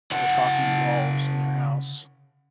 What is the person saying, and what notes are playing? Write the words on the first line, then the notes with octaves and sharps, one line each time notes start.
the talking walls in your house,
C#3 F#5